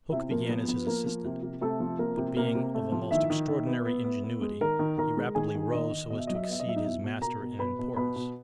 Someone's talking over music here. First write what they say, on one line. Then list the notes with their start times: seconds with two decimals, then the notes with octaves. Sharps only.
Hooke began as his assistant, but being of a most extraordinary ingenuity he rapidly rose so as to exceed his master in importance.
0.12 C3 E4 E5
0.31 F3 A#3 A#4
0.49 F3 B3 B4
0.68 F3 B3 B4
0.87 F3 A#3 A#4
1.06 F3
1.25 C3
1.43 C3
1.61 C3 A3 A4
1.80 F3
1.99 C3 A#3 A#4
2.17 C3
2.37 C3 A#3 A#4
2.55 C3
2.75 A3
2.92 F3
3.11 D#3 E4 E5
3.30 D#3
3.48 D#3
3.67 B3
3.85 B3
4.04 B3
4.24 B3
4.41 G#3
4.61 D#3 A#4 A#5
4.79 D#3
4.98 D#3 A#4 A#5
5.17 G#3
5.35 D#3 G#4 G#5
5.55 D#3
5.72 D#3 D#4 D#5
5.91 D#3
6.10 B2 D#5
6.19 E5
6.27 F#3 D#5
6.35 E5
6.43 D#5
6.48 B3 E5
6.60 D#5
6.66 F#3 E5
6.76 D#4 D#5
6.84 B2 E4 E5
7.04 B2
7.22 B2 A#4 A#5
7.40 B2
7.59 B2 B4 B5
7.79 B2
7.96 B2 B4 B5
8.16 B2